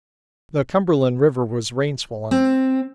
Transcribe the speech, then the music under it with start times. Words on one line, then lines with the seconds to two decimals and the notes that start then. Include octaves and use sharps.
The Cumberland River was rain-swollen.
2.31 C4